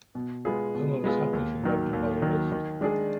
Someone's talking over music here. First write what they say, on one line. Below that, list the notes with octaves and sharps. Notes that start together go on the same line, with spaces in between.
Omer was happy she grabbed him by the wrist.
B2
G#3 B3 F4 G#4
B2
G#3 B3 F4 G#4
D#2
D#3 F#3
D#2
D#3 F#3
D#3
G#3 D4 G#4 D5